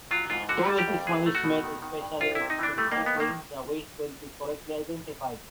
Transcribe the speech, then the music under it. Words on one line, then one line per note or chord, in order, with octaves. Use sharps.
To ease its management and especially its recycling, the waste will be correctly identified.
F#3 F4
G#2 F4
D3 F#4
G3
G4
F2
F#3 G#4
A3
F#4
B2
D#3
D#3
G2
C2 F4
E4
C3
D#4
E3 D4
G3 A3
D#2 A#3
B3
D#3 A#3